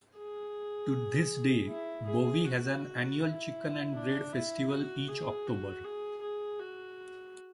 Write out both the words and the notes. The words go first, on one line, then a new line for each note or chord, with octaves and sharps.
To this day Bowie has an annual Chicken and Bread Festival each October.
G#4
E4
G#4
F#4
E4
D4
E4
F#4
G#4
F#4
G#4
G#4
F#4